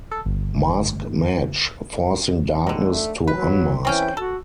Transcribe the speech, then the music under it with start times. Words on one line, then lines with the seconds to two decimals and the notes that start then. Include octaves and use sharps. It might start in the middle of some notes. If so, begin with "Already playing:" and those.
Mask Match, forcing Darkness to unmask.
0.11 A4
0.26 G1
2.67 D3 D#3
2.88 A3
3.28 F#3 B4
3.85 E3 C4 C#4 G5
4.17 F#4 A4